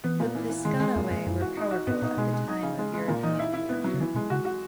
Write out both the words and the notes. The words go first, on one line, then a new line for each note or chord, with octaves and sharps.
The Piscataway were powerful at the time of European encounter.
E3 B3
A#2
E3
E3
D#3 G#3
C#3
D#3 G#3
E2 A#2
F#2 G#3
F#2 E3
F#4
D#4
F#4
G#2 B3
A#2 D#4
B2 G#3
G#3
D#4
C#3
G#3
G#3
A#2 D#3
E3 D#4
E4
E4
B3
F#3
C#3
D#3 E3
B2 G#3
C#3 F#4
F#4